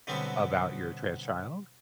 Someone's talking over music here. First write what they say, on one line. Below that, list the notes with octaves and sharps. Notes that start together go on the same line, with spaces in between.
about your trans child?
B2 D3 F#3 G3 B3 C4